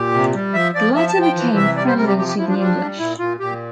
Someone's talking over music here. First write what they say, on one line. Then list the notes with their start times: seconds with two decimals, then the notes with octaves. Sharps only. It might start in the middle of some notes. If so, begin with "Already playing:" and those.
The latter became friendly to the English.
Already playing: A#2 G4
0.14 C3
0.35 G3
0.54 F3 E5
0.75 F3 D5
0.95 F3 E5
1.09 A5
1.15 F3
1.22 G5
1.36 E3
1.56 C3 E5
1.76 G3 D5
1.87 C5
1.97 C3 A#4
2.07 G4
2.17 F3 G4
2.28 G4
2.38 F3 E4
2.48 D4
2.58 G3 D4
2.79 G3
2.99 A#2 E4
3.19 A#2 F4
3.40 A#2 G4